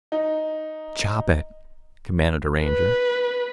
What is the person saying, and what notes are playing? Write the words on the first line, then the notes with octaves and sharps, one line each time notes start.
"Chop it!" commanded a Ranger.
D#4
B4